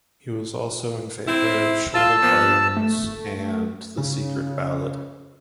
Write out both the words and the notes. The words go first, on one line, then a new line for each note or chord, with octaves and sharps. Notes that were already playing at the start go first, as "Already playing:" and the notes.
He was also in favour of shorter Parliaments and the secret ballot.
C4 E4
F4 A5 E6
A#2 F3 B3
A3
C#3